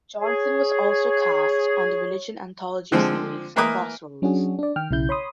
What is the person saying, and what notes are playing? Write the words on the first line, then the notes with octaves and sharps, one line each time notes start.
Johnson was also cast on the religion anthology series "Crossroads".
G#4 C#5
D3 F3 G#3 C4
E3 A#3 A#4 B4 A#5 D#6
F#3 C#4 D4 F#4 G#4
D4 D5
D#3 G5 F6
B1 C#3 E4 G6
C#5 B5 C6 D#6